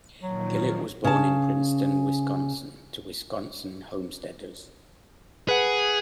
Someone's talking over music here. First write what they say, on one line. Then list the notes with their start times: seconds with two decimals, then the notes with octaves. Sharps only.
Gillett was born in Princeton, Wisconsin to Wisconsin homesteaders.
0.23 A#2 D#3 F3 F#3
1.04 C#3 A5
5.49 G#4 B4 F#5